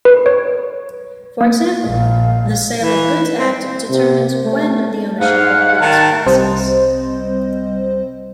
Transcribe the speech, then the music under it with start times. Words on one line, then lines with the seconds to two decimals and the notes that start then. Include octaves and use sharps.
For example, the Sale of Goods Act determines when the ownership of goods passes.
0.05 B4
0.26 C#5
1.41 A#3
1.86 A#1 F5
2.81 E3
3.39 C4
3.90 C3
4.45 A3
5.20 G#2 F5 F#5
5.81 D#3 A5
6.27 C2 G3 C4 C5 D#5